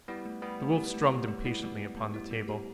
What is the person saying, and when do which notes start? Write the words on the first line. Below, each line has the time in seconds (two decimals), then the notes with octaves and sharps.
The Wolf strummed impatiently upon the table.
0.08 G3 B3 E4
0.26 A3
0.42 G3 B3 G4
0.60 A3
0.77 E4
0.94 A3
1.11 G4
1.28 A3
1.45 G3 B3 E4
1.62 A3
1.79 G4
1.97 A3
2.14 E4
2.31 A3
2.48 G4